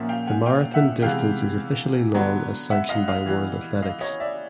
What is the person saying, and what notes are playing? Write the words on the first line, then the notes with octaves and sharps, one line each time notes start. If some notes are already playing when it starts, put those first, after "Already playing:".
The marathon distance is officially long as sanctioned by World Athletics.
Already playing: A#2 F3 A#3 C#4 E5 F#5
F5 G5
F#5 G#5
F5 G5
E5 F#5
C3 E3 G#3 B3 F5 G5
D3 F#3 B3
E5 F#5
D#5 F5
D#5 F5
E3 G3 B3
D#5 F5
C#5 D#5
D5 E5